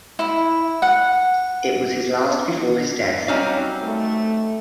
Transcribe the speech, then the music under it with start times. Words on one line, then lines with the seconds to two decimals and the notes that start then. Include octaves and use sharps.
It was his last before his death.
0.19 E4
0.82 F#5
3.28 F#3 G3 C4 C#4 D#4 F5
3.83 A3